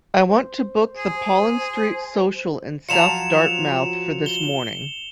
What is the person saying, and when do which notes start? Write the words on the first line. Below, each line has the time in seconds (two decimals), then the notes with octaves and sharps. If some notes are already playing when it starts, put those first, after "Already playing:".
I want to book the Pollen Street Social in South Dartmouth for this morning.
0.28 C5
0.97 G#4 G#5
2.89 F3 F#3 F4 C#7 E7 F7
4.26 G7